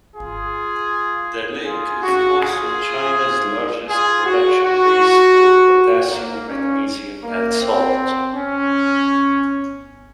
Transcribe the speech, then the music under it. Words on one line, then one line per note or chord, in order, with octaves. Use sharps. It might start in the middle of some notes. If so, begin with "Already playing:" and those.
The lake is also China's largest production base for potassium, magnesium, and salt.
F4 G#4
F4 G#4
F#4
F4 G#4
F4 G#4
F#4
F#4
A#3
C#4
A#3
C4
C#4